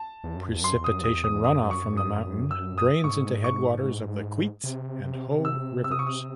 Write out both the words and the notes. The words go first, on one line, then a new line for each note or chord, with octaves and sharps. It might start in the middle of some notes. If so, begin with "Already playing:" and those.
Precipitation runoff from the mountain drains into headwaters of the Queets and Hoh Rivers.
Already playing: A5
E2
F#2
E2
F#2 C6
E2
F#2 D#6
E2 D#6
D#6
E2
F#2 D#6
C#6
D#6
E6
D#6
G#2 C#6
C#6
C3
C3
E6
E6
D#6
C#6
D#6